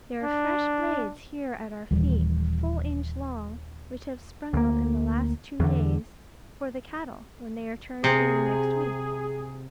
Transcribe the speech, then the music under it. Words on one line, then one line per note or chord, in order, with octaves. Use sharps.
There are fresh blades, here at our feet, a full inch long, which have sprung up in the last two days, for the cattle when they are turned in next week.
D4
D#1 D#2 E3 G3
D2 A#3
E2 D3
C3 G#4